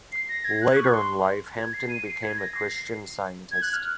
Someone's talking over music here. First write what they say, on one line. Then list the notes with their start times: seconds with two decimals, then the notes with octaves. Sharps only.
Later in life Hampton became a Christian Scientist.
0.12 C7
0.29 A#6
0.45 G#6
0.61 F#6
0.76 C#6
0.94 C6
1.58 G#6
1.73 C7
1.89 D#7
2.06 C7
2.23 G#6
2.38 A#6
2.55 C7
2.70 C7
3.51 G#6
3.62 F#6
3.73 F6